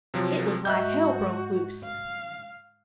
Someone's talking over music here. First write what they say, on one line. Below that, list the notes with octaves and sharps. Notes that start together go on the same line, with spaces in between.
It was like hell broke loose.
C3 F3 F#3
G#2 D#4 F#4 E5 F#6 G6
F5